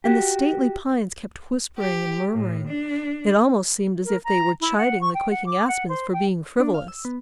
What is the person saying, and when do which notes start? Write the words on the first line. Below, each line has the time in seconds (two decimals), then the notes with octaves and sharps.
And the stately pines kept whispering and murmuring; it almost seemed as if they were chiding the quaking aspens for being frivolous.
0.04 F#4 G4
1.79 G4
2.34 A2
2.69 D4
4.04 A#4
4.24 A#5
4.60 E4
4.78 F#5
5.01 C#6
5.14 G5
5.30 F#5
5.46 D6
5.68 F#5
5.88 C5
6.13 G5
6.60 D4
6.74 F5
6.88 E6
7.05 B3